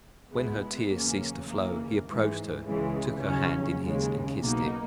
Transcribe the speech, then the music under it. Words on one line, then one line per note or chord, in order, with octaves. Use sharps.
When her tears ceased to flow, he approached her, took her hand in his and kissed it.
C#2 B2 G#3 B3 E4
E2 C#3 F#3 A#3 C#4
D#2 C#3 E3 A#3
G#2 E3 G#3
C#2 C#3 E3 G#3
D#2 C#3 F#3 C#4
D#2 C#3 G#3
B1 B2 A#3 D#4